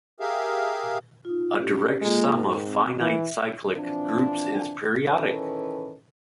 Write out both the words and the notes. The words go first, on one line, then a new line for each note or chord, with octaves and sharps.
A direct sum of finite cyclic groups is periodic.
G4 G#4 A#4 E5 F5
D#4 F4
A2 C#4 G4
G#3 A#3 F4 A4
G#2 A#4 G5
C4
E3 E5
E3 F3 C4 D4
D#3 E3 C#4 A4 B4